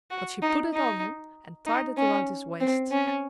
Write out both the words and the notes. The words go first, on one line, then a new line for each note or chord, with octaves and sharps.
But she put it on him and tied it around his waist.
F#4
D#4
D#4
D#4
C#4
C4
C#4